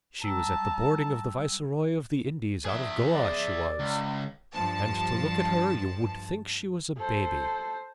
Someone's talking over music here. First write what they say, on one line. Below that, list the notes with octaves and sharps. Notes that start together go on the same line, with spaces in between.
She was at the boarding of the viceroy of the Indies out of Goa, she was; and to look at her you would think she was a babby.
G3 A5 A#5 E6
G#4 E5
D5
C#2
G2 F3 A5
A4 C5